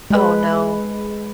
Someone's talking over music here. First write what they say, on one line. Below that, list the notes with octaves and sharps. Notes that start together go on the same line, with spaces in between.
Oh, no.
G#3 B4